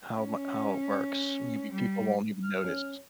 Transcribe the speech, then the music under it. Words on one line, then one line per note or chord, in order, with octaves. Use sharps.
how mu how it works, maybe people won't even notice."
C#4
G3
F6
C#4